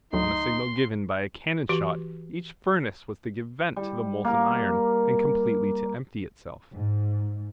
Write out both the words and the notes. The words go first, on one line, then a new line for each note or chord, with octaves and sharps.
On a signal given by a cannon-shot each furnace was to give vent to the molten iron and completely to empty itself.
D2 F#3 D#4 C6
E3 F#4 G4
G3
A#3 A#4
G#2